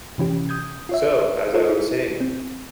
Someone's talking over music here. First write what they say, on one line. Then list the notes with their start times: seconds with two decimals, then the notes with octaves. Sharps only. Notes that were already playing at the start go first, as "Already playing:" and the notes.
So, as I was saying.
0.18 C3 E3 C#4 G4
0.49 D#6 G6 G#6
0.89 F4 C#5 E5
1.54 F4 A4 A#4 C5 C#5
1.70 E4
2.21 C4